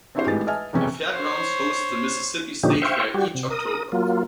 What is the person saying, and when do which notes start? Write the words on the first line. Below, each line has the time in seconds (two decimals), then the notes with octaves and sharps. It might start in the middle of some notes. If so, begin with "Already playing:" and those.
The Fairgrounds hosts the Mississippi State Fair each October.
0.15 C4 D4 E4 F#4 G4 C5
0.26 G#1 A2 G#3 G4 B4 A6
0.47 B4 D#5 E5 G#5 A5 F6
0.73 E1 F2 C3 B3 C#4 G5
1.14 C5 C#5
2.63 A#2 D3 F3 C#4 D#4 G4
2.82 C5 E5 F5 G5 C#6
3.14 G3 F#4 G4
3.35 C3
3.50 A#4 D#6
3.92 F#3 A#3 F4